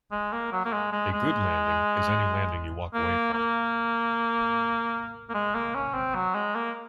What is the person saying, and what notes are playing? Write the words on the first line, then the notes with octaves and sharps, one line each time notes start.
A good landing is any landing you walk away from.
G#3
A#3
F#3
A#3
G#3
G#3
G#3
A#3
A#3
A#3
G#3
A#3
C#4
C4
F#3
G#3
A#3